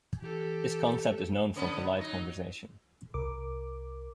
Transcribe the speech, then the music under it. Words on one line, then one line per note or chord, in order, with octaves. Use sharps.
This concept is known from polite conversation.
E3 G4 A4
D3 B3 C#4
F#3 D#4
C2 A#4 D6